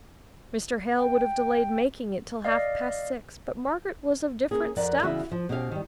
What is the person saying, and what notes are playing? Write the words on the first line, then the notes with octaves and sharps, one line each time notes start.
Mr. Hale would have delayed making it till half-past six, but Margaret was of different stuff.
G5
D5 D#5 F5
A#3 C#4 G#4
F2 A#4 D5 F#5
C#3 E3 B3 F#4 E5
F3
B2 C4 C#4 G4 F5
D#3 G3